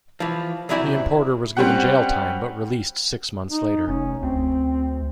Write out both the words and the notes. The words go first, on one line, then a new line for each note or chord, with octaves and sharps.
The importer was given jail time but released six months later.
E3 F3
C2 F#3 C4 E4 D5 G#5
G3 C4 C#4 G4 F#5
D#4
F1 C#4
D2 C4